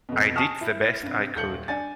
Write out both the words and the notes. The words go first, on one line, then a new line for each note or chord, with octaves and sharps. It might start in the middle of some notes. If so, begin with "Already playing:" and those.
I did the best I could.
F2 B2
G#5 A5 C#6 D#6 F6 E7
E4
G2 C3
D#1 A4 G6 C#7 F#7
D4 G#5 A6